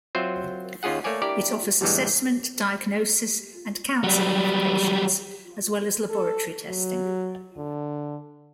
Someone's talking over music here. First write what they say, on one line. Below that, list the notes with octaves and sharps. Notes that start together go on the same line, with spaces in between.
It offers assessment diagnosis and counselling for patients as well as laboratory testing.
F#3 C4 F4 C5 E5
D#2 C#4 F4 G#4 F#5
A3 A#3 C#5 D5 G#5
D4 E4 G4 A#4 D5
E2 A2 D3 E3 G3 G#3
F#3 G3
A4
F#3
D3